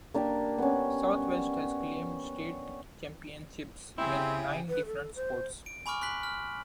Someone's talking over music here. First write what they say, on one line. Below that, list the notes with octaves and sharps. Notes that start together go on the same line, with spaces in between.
Southwest has claimed state championships in nine different sports.
A#3 D4 G4
B3 C#4
C#3 C4 E4 G4 G#4
B4
A4
C5
D7
G#5 B5 C#6 D6 F6
C6 F#6 B6 F#7
F6